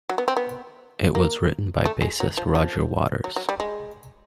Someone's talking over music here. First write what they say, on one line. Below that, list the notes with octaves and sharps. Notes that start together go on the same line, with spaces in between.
It was written by bassist Roger Waters.
F#3
B3
C4
B3
A#3
A3
G#3
F#3
F3
F3
F#3
F#3
G3
G#3